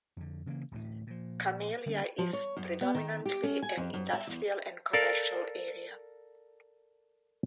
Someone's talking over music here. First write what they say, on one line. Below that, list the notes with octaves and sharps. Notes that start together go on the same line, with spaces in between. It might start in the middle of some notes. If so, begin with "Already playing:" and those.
Camellia is predominantly an industrial and commercial area.
F2 D3
C#3 E3 G3 A#3
D1 D2 A2 E3
A#2 F3
D3 G3 A#3 C#4
F3
C#5
F#2
B3
D#3
G4
C#4
G#5
F2
F#2
E5
E2
A4 A#4 D5 F5